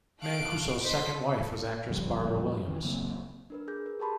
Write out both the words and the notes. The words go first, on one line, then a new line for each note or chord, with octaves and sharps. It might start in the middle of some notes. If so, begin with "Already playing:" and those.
Mancuso's second wife was actress Barbara Williams.
A3 F5 F#6 D7
D#4 C5 D#5 C6 B6
A4
E2 C#3 F3 G3
D#3 E3
C#3 F#3 A#3 C4
D4 A#4 B4
G#4 G6
A#4
G4 G#4 A5 B5 C6